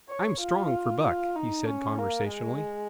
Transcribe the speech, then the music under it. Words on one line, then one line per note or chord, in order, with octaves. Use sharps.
"I'm strong for Buck," he said conversationally.
C#5
F4
F4
D#4
C#4
A#3
G#3